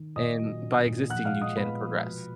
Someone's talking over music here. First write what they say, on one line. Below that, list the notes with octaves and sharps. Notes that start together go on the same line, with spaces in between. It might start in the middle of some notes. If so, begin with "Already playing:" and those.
and by existing, you can progress.
Already playing: D#3
A#2 D#5 D#6
F#3
D4
A#2
F3 F#5 F#6
F5 F6
G#3
D#5 D#6
B3 B4 B5
F3
B2